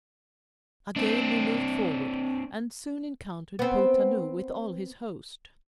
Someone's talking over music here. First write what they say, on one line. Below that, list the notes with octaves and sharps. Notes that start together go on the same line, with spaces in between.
Again they moved forward, and soon encountered Potanou with all his host.
C4 D4
B3 C4